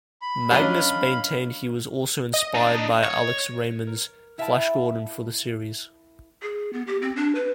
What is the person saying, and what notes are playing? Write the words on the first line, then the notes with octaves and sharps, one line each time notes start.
Magnus maintained he was also inspired by Alex Raymond's "Flash Gordon" for the series.
B5
F#3 C#4 D4 A#4 D#5 F5
D#5
D4 D#4
C#5
A#4
E4 E5 F5 G5 A5 B5
G#4
B3
G4
C4
D4
B4